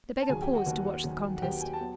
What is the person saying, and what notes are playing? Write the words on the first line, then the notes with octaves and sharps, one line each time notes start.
The beggar paused to watch the contest.
A5
D#2 D#3 F#3 G#4 G#5
G4 G5
F#4 F#5
D#2 D#3 F#3
D#2 D#3 F#3
F#5
D#2 D#3 F#3 G4 G5
G#5
A5
F#3 B3